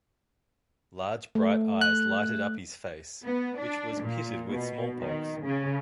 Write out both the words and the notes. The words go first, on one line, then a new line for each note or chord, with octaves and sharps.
Large bright eyes lighted up his face, which was pitted with smallpox.
A3
F#6
B3
D4
A#2
B2
D#3
C#3